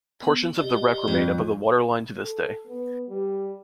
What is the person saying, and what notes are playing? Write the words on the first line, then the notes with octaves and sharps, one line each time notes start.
Portions of the wreck remain above the waterline to this day.
B3
G4 D5 D#5
F2
A4
B3
G3